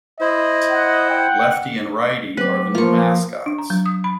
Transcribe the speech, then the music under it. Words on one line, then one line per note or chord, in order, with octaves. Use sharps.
Lefty and Righty are the new mascots.
E4 C5 D#5
F#5
G5
F#3 C4 B4 D6
F3 A#3 F4 F5 C#6
D4
A#5
F#3
D#6
B5